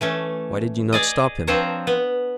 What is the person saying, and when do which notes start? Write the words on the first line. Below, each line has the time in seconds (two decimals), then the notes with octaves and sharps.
"Why did you not stop him?"
0.01 E3 A3 C#4
0.93 G#4 D5 D#5
1.47 F3 C4 D4 C5 C#5 A#5
1.87 B3